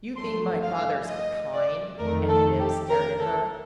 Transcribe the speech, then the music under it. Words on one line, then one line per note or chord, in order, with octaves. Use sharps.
"You think my father's KIND?" And Bibbs stared at her.
G2 F3 A3 C6
F5
D#5
D5
F2 D#3 A3 A#4
A4
G4
A#4
A4